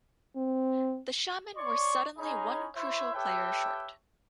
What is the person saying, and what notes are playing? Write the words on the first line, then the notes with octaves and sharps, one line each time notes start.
The Shamen were suddenly one crucial player short.
C4
C#5 D5 C6 C#6
C#4 D#4 G#4 C#5 D#5 B5
E4 C5 C#5 E5
G4 A4 B4 C#5 E5 G5